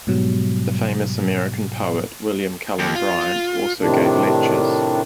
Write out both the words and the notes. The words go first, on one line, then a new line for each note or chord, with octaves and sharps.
The famous American poet William Cullen Bryant also gave lectures.
G#2 B2 F#3 G3
D#2
F4
A2 C3 D#3 D4